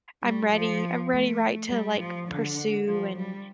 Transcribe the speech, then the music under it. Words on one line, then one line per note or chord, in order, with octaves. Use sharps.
I'm ready I'm ready, right, to, like, pursue and,
G3
F3
A3
G3
F3
D3
F3
G3